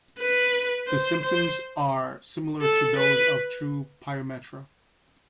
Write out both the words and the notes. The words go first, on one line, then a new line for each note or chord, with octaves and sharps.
The symptoms are similar to those of true pyometra.
B4
C5
C5
A4
B4